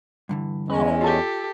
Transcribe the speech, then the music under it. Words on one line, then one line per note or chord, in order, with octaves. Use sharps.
Oh, it
G2 D3 E3
E2 G#3 C#4
F4 G4 A4 A5